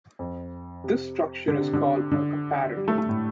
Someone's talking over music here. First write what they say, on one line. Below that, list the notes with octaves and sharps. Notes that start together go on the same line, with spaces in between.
This structure is called a "comparator".
F2
C3
D3
C3
D3
D3
G3
A3
A3
A2